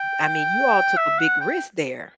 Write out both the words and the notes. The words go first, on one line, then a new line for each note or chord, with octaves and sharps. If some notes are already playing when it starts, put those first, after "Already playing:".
I mean, you all took a big risk there.
Already playing: G5
E5
F#5
G5